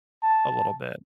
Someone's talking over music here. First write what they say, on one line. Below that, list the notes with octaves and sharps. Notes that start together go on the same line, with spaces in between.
a little bit,
A5